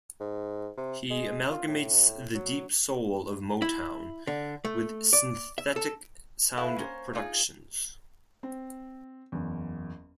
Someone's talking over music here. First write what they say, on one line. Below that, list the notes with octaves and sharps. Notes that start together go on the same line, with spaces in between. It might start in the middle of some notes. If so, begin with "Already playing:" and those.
He amalgamates the deep soul of Motown with synthetic sound productions.
G#2
C3
G#3
F4
A2
F#3
E4
D3
A3
D5
E5
A4
E4 A4 B4 F5 F#5
A#3 C#4 C5
D#4 F4 G#4
C4
F#1 E2